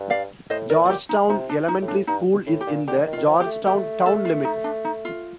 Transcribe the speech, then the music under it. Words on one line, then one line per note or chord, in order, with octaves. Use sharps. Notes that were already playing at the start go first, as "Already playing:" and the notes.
Georgetown Elementary School is in the Georgetown town limits.
Already playing: G2
D5 F5
A2 C5 D#5
A#4 D5
A#2
F4
G4
D#4
C3 D#4
D4
D#4
A2
D4
G2 D#4
A2
G4
A#2
D3 G4
D#3
F4
D#3
F3
G4
A3
A3 G4
A4
F4
D#4
D4
D#4
F4